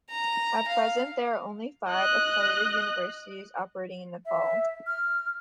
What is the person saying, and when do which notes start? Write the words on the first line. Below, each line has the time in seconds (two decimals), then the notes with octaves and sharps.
At present there are only five accredited universities operating in Nepal.
0.10 A#5
0.68 F5
1.90 D#5 F#6
4.25 E5
4.87 F6